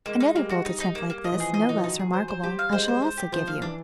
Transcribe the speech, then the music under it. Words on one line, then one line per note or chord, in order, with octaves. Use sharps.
Another bold attempt like this, no less remarkable, I shall also give you.
G#3 A#3
D#4
G3 A#3
F#4
D#4
D#4
A#3
A#3
F3 D#5
E3
F3 G#4
D#5
E3 D#4
F3
F#3 D#4
G#4
C5
C5
G3 G4
F5
G#3 C5
C5
C5
G4
F3 C5
F5
E3 D4